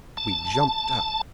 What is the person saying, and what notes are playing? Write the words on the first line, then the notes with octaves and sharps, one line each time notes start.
We jumped up.
A5